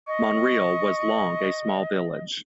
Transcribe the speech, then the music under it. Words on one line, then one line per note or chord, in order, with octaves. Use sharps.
Monreale was long a small village.
D#5 C#6